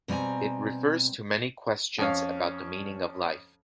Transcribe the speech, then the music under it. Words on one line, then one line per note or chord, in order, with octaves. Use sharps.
It refers to many questions about the meaning of life.
B2 G3 C4 G#5 A#5
F2 C#4 F5